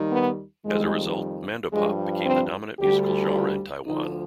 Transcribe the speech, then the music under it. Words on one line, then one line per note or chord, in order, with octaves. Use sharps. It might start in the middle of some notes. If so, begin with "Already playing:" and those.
As a result, mandopop became the dominant musical genre in Taiwan.
Already playing: D#2 D#3 G3
B3
F2 D#3 G3 G#3
G2 F3 G#3
C4
D2 D3 G3 G4
F4
D2 D3 F3 D#4